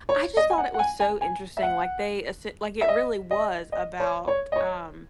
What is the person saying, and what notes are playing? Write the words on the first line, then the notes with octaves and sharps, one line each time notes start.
I just thought it was so interesting, like, they esse like, it really was about, um,
C#5
D#5
G#5
F#5
F#5
G#5
G#5
G#5
E5
F#5
E5
D#5
D#5
D#5
C#5
C#5
D#5
C#5